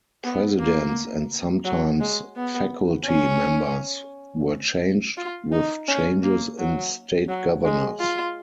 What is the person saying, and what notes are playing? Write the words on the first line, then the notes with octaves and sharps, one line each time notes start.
Presidents and sometimes faculty members, were changed with changes in state governors.
B3
A#3
F#3
G#3
B3
C#4
F4
D#4
C#4
A#3
F#3
F#3
G#3
F4